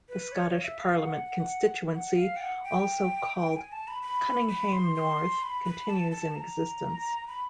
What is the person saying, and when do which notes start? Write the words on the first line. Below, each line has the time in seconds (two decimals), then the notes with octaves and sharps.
The Scottish Parliament constituency also called "Cunninghame North" continues in existence.
0.09 B4
0.32 C#5
0.48 C#5
0.59 F5
0.63 E5
0.79 F5
1.02 F#5
1.25 F#5
1.95 F#5
2.17 F5
2.36 G5
2.41 F#5
2.64 G5
3.56 G#5
3.72 A5
3.88 B5
4.02 B5
4.49 B5
4.72 C6
4.95 C6
5.42 B5
5.65 B5
5.88 A5
6.11 A5
6.35 A#5
7.28 B5